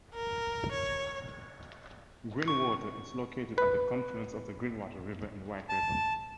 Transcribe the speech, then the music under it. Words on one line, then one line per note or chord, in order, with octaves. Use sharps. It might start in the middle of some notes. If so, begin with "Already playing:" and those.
Greenwater is located at the confluence of the Greenwater River and White River.
A#4
C#5
C#6
B4
A5